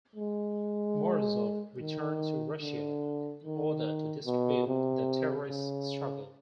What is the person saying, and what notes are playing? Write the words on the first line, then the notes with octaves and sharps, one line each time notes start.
Morozov returned to Russia in order to distribute "The Terrorist Struggle".
G#3
D#3
D3
D#3
B2
C3
C#3